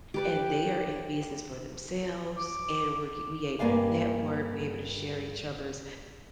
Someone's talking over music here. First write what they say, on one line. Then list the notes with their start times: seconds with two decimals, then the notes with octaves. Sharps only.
and they are in business for themselves, and we're ge we able to network, we able to share each other's,
0.14 G4 B4 D5
2.37 D6
3.59 G2 A#3 D5 F5 G#5